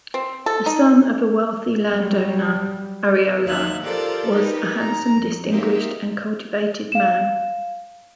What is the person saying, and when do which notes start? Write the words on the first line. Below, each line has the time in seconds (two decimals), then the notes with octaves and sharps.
The son of a wealthy landowner, Arriola was a handsome, distinguished and cultivated man.
0.14 C4
0.46 A4
0.66 D#4
1.91 F#3 G3
3.45 D#2 D#4 E5 F5 F#6
3.82 F4 G4 A4 A#4 C5 D5
4.33 D#4 G4 A#4 B4
4.79 A#5
5.14 F2
5.49 A#3 C4 D#4 G4 A#4 E5
6.92 F5 E7